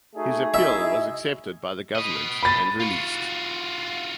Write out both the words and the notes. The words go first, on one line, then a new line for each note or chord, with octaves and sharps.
His appeal was accepted by the government and released.
A3 D#4 F#4 G#4
E4 D#5 E5 E6
B4 D#5
B5 A6
F4 F#4